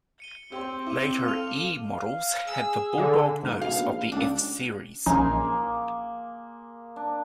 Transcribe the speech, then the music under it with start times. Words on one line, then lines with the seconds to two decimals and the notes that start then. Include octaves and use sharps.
Later E models had the "bulldog nose" of the F series.
0.20 C#7 D#7 G7
0.52 C4 G4 C#5 C6
0.87 E4 D6 D#7
1.25 A4 F5 F6 D#7 F7
1.79 F5
2.47 G#4 E6
2.97 D3
3.43 G#2
3.61 B2 F5
3.77 A#1
4.12 C#2 D4
5.06 A#1 A#3 C#4 D#4 G#4 C6
6.96 D4